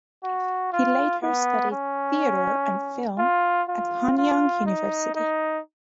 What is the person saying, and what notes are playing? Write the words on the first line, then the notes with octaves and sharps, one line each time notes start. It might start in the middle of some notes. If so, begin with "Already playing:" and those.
He later studied Theater and Film at Hanyang University.
F#4
F4
B3
C#4
F4
F4
F4
D#4
D#4